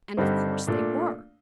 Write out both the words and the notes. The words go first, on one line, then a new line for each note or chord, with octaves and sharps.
And of course they were.
G2 D3 G3 C4 D#4
A#2 A3 D4